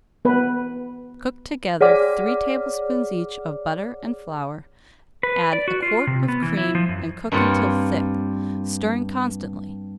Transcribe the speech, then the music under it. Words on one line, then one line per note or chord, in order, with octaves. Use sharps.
Cook together three tablespoonfuls each of butter and flour, add a quart of cream and cook until thick, stirring constantly.
B3 B4
G#4 C#5 D5 F#5 D6 F6
B4
D5
F#4
F4
C3
B3
E3
E4
F3
F#2
G2 A#3 C4 F4 C#5 F#5